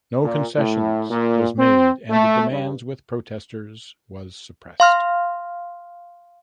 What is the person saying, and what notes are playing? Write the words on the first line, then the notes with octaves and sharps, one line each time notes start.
No concessions was made and the demands with protesters was suppressed.
A#2
A2
A#2
C4
A3
G2
F5 C6 F6